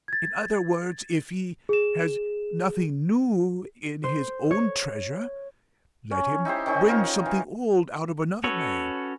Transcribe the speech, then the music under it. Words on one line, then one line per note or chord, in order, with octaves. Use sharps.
In other words, if he has nothing new in his own treasure, let him bring something old out of another man's.
G#6 A6
G#4 E7
C5
C#5
C#4
D#4 E4 G4 C5
D#3 C#4 D#4 C5
D#4 F4 A#4 C#5
E3
C#4 F#4 A4 B4 C#5